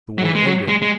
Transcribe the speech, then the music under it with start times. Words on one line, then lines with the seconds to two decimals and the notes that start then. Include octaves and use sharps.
The war ended.
0.18 F#3
0.24 E3
0.35 G#3
0.46 F#3
0.68 G#3
0.82 G#3